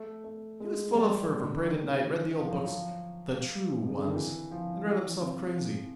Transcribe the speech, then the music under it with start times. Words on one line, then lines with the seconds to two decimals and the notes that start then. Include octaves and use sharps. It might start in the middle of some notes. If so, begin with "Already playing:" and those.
He was full of fervour, prayed at night, read the old books, 'the true' ones, and read himself crazy.
Already playing: A3
0.24 A3
0.60 G#3
0.95 G3
1.31 D3
1.66 D#3
2.02 E3
2.38 F3
2.51 F#3
2.65 F3
3.80 C3
3.89 C#3
3.98 D3
4.07 D#3
4.16 E3
4.51 F3
4.86 E3
5.22 C3